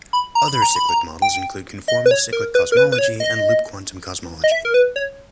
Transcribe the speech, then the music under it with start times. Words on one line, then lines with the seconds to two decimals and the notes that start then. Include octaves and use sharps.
Other cyclic models include Conformal cyclic cosmology and Loop quantum cosmology.
0.13 B5
0.35 A#5
0.48 B5
0.62 A#5
0.76 B5
0.89 A#5
1.22 G5
1.88 D#5
2.06 B4
2.11 C#5
2.33 A#4
2.55 B4
2.72 A#4
2.77 B4
2.92 B4
2.99 C#5
3.20 D#5
4.44 D#5
4.52 E5
4.65 A#4
4.74 B4
4.96 C#5